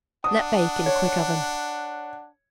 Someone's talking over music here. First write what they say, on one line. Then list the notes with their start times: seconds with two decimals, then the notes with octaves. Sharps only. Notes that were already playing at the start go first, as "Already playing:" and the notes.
Let bake in a quick oven.
0.24 D4 F#5 D#6
0.86 C#5